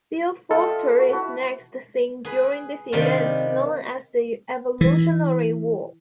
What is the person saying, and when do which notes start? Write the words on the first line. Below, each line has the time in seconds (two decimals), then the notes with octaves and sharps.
Bill Foster is next seen during the events known as the Evolutionary War.
0.51 F4 A4 D#5 G5
0.69 E5
0.99 F#4 B5
1.12 E4 F#4 A5
2.25 G#4 B4
2.92 C3 D#3 G3 D4 F4
4.81 E3